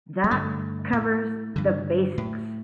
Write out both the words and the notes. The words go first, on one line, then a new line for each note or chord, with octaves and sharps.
That covers the basics.
G3
G2 D3 A3
A2
G2 D3
A2